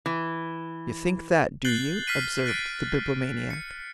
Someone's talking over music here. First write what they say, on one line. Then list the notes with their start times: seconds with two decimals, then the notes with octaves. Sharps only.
"You think that, do you?" observed the Bibliomaniac.
0.06 E3
1.65 F#6 G6 A6 C7 F#7 G7
2.07 F6 B6 C7 D#7
2.46 F#6 A6 D7
3.50 C#7